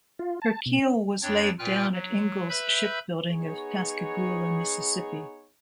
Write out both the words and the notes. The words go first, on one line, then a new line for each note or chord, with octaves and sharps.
Her keel was laid down at Ingalls Shipbuilding of Pascagoula, Mississippi.
F4
A5
B2
C#4
F2 D4 C#5 G5 A6
A#2 F4 B4 G5 F6 F#6
F#3
B4 E5 B5 E6 G6
B3 D#4 G#4 C#5